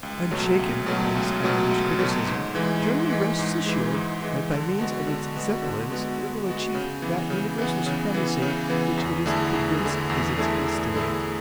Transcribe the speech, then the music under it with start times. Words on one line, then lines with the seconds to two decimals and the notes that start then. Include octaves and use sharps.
Unshaken by this adverse criticism, Germany rests assured that by means of its Zeppelins it will achieve that universal supremacy which it is convinced is its Destiny.
0.03 C#2
0.31 B2 F#3 A3
0.59 C#2
0.86 B2 F#3 A3
1.15 C#2
1.43 B2 F#3 A3
1.71 C#2
1.99 B2 F#3 A3
2.27 G#2
2.55 E3 G#3
2.82 G#2
3.10 E3 G#3
3.39 G#2
3.66 E3 G#3
3.94 G#2
4.22 E3 G#3
4.51 D3
4.78 G#3 B3 F#4
5.07 D3
5.34 G#3 B3 F#4
5.62 D3
5.90 G#3 B3 F#4
6.18 D3
6.46 G#3 B3 F#4
6.75 C#3
7.02 E3 B3
7.30 C#3
7.58 E3 B3
7.86 C#3
8.14 E3 B3
8.42 C#3
8.69 E3 B3
8.97 E2
9.26 D3 A3 E4 G#4
9.54 E2
9.81 D3 A3 E4 G#4
10.10 E2
10.38 D3 A3 E4 G#4
10.66 E2
10.94 D3 A3 E4 G#4